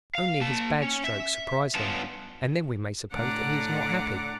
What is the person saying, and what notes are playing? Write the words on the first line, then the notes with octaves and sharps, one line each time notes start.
Only his bad strokes surprise him, and then we may suppose that he is not happy.
F5
A#3 A5
C#4
E5
G2 B3 C#4 F4 A5
A2 D3 D5 F#5 A#5 D6